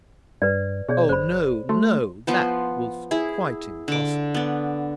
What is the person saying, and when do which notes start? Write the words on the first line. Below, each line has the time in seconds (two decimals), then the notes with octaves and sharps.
Oh, no, no; that was quite impossible.
0.42 G2 B4 D5
0.89 B2 G#4 C#5 D5
1.09 F#1 C5 B5
1.69 A3 F#4
2.27 F3 B3 C5
3.11 E4 G#4
3.88 D3 D6
4.34 B3 D5